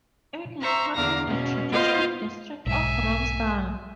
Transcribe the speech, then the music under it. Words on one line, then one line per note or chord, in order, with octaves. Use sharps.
It is part of the traditional district of Romsdal.
C5 E5 A#5 C#6
E2 D3 D4 F5 A#5 A#6
B2 C#4
B3 F4 C5 D#5 F5
B1 G#2 E5 G#5